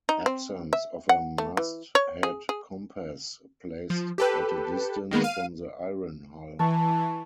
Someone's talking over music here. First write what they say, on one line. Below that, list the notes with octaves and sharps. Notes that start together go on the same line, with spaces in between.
Absence of a mast head compass placed at a distance from the iron hull.
D#4
C4
E5
F#5
A3
E3
C#5
G#4
G#4
F3
G4 A4 B4
D#3 G#3 A#3 B3
F5 D#7
E3 A5 C#6